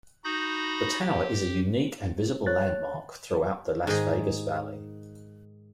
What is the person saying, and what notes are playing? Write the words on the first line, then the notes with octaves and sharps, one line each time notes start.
The tower is a unique and visible landmark throughout the Las Vegas Valley.
D#4 F#4 B5 D#6 G6 A#6
G4
C#5 F#6 A6
G#2 D#3 D#4 G#4 D#5